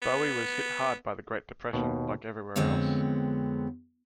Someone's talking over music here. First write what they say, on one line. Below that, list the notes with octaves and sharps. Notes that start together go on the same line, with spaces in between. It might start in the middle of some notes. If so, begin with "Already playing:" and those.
Bowie was hit hard by the Great Depression like everywhere else.
B3
D#2 B2
F2 D3 G#3 B3 C4 C#5